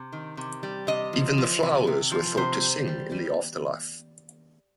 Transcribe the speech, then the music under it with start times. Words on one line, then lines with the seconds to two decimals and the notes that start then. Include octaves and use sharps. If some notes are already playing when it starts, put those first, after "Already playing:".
Even the flowers were thought to sing in the afterlife.
Already playing: C3
0.12 D#3
0.37 C3
0.63 G3
0.87 C3 D#5
1.13 F3
1.38 F3
1.62 C3
1.87 C3
2.12 F3
2.37 C3 C5
2.62 G3
2.87 G3
3.12 G3